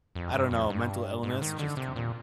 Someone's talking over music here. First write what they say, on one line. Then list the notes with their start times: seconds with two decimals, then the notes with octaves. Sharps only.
I don't know. Mental illness? Just kidding.
0.15 F2
0.34 G2
0.51 F2
0.70 G2
1.23 G#2
1.42 D#3
1.59 D3
1.77 C3
1.96 A#2